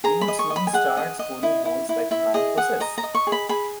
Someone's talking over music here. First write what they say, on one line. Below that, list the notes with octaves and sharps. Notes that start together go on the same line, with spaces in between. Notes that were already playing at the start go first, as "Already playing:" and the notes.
He would soon start scoring goals like a man possessed.
G#4 A#5
B5
D#5
C#6
D#5
B5
G#5
G#4 F#5
D#5
D#5
E4
E4
E4
E4 E5
G#4 D#5
G#4 F#5
D#5 A#5
A#5
D#5
C#6
G#4
B5
G#4 B5